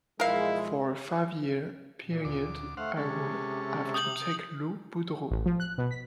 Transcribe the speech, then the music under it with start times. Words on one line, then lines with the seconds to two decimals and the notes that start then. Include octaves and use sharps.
For a five-year period, I would have to take Lou Boudreau.
0.20 B1 F3 G#3 E4 A#4 F5
2.04 A#2
2.25 D2 D6
2.77 A3 C5 F5 F#5
2.97 C3 G#3 C#4 A4
3.94 D#6 G6 F#7
5.31 A1
5.46 F3
5.60 F#6
5.78 B2
5.91 B6